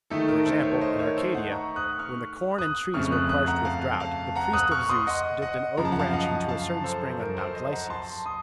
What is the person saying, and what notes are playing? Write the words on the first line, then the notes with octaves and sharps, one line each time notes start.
For example, in Arcadia, when the corn and trees were parched with drought, the priest of Zeus dipped an oak branch into a certain spring on Mount Lycaeus.
D#3 A3 D#4 A4
A#4
A4 C5
A#4 C#5
C5 D#5
A#4 C#5
A4 C5
D#5 F#5
A#5 C#6
D#6 F#6
C#6 F6
D#6 F#6
F2 C#3 A3 C4 C#6 F6
D#6 F#6
D#6 F#6
F#5 A#5
F5 A5
F5 A5
F#5 A#5
D#6 F#6
C#6 F6
C6 D#6
D#5 F#5
D#5 F#5
F#2 C#3 F3 A#5
A5
F#5
F5 A5
D#5 F#5
F5 A5
A4 C5
A#4
A4 C5
C5 D#5
F#5 A#5
A5 C6
C6 D#6